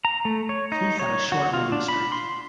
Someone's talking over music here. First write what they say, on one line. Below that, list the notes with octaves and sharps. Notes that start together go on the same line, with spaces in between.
He had a short winning streak.
A#5
A3
C#5
D#4
C#5
F#4
F4
D4
B5
C6